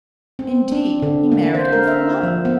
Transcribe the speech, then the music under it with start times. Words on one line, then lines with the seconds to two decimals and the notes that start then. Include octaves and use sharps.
Indeed, he married her for love.
0.39 C4
0.72 D4
1.02 D3
1.32 A#3
1.54 C5
1.72 A#4
1.87 E5
2.23 F3
2.45 B3